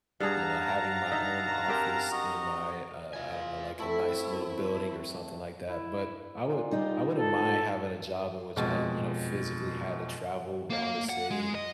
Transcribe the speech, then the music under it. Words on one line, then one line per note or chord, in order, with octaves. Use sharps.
you know, having my own office in my, uh I don't know, like, a nice little building or something like that, but I would I wouldn't mind having a job in which I, you know, physically had to travel 'round the city,
G2 G#4 F5 F#5 A5 A#5
D#4 E5
C4 G4 A#4
F#4 D#5
F4 G#5
A3 C4 E4 B4
E4
A#2
G3 D#4 F4
A4
F2 B2 G#3
A#3 F5
F#5
G#3
D#5